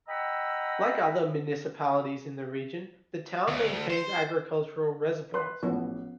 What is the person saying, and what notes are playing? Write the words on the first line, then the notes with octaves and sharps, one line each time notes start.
Like other municipalities in the region, the town maintains agricultural reservoirs.
D#5 F#5 G5 A#5 B5 E6
D2
C5
B4 C6 F#6
A1 F3 B3